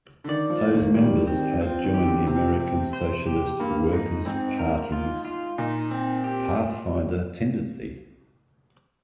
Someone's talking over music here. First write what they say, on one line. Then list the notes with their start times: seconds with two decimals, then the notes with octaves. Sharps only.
Those members had joined the American Socialist Workers Party's Pathfinder tendency.
0.24 D3
0.28 D#3 D5
0.50 F3
0.61 A#3
0.73 D#3
0.94 D#3 G3
1.27 C4
1.61 F3 C4
1.83 D#3
1.94 G4
2.05 D3
2.27 C3 C4
2.60 C4
2.93 C5
3.27 G4
3.60 G2 A#3
3.92 G#2 D#4
4.25 G#2 C4
4.59 A#4
4.92 F4
5.25 F4
5.58 A#2 D#4
5.91 C4
6.24 G4